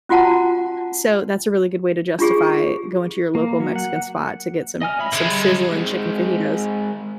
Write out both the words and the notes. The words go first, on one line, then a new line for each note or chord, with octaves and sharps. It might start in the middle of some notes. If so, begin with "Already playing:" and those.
So, that's a really good way to justify going to your local Mexican spot to get some some sizzling chicken fajitas.
C#4 F4 F#4 F#5 A5 A#5
D4 F4 G4 G#4
A#3
F#3
F#5
D#5 G#5 F6
C#5 E5 B5
D3 G#3
G3
G#3 C4